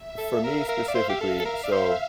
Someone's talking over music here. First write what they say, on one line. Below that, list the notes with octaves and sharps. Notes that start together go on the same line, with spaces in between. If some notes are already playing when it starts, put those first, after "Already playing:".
for me specifically, so
Already playing: E5
A4
F5
A#4
A#4 F5
D5
C5
G4
A4
A4
A#4
D5
C5